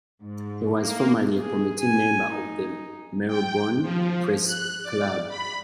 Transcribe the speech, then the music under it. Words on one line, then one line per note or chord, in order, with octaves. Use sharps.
He was formerly a committee member of the Melbourne Press Club.
G#2
A#3
G#4
G#5
D#4
G5
F3
F#6
D5
B5